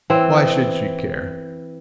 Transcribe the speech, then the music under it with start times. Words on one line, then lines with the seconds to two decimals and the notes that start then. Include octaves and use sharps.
Why should she care?
0.10 E3 C4